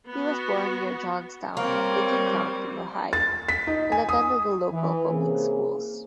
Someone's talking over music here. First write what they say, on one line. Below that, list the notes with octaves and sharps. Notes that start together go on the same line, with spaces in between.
He was born near Johnstown, Licking County, Ohio, and attended the local public schools.
B3 F#4
G3 A#3 C4 A#4 C#5
A6
B6
D#4
G#5
D#6
E3
C3 A#3 C4 C#4 G#4